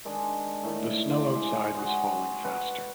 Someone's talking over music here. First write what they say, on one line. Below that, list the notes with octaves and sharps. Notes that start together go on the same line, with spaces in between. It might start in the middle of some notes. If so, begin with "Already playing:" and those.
The snow outside was falling faster.
D#3 G#3 D4
A2 D#3
C5 D5 F5 D6
G#3
F#4 G#4 C5
B4 F#5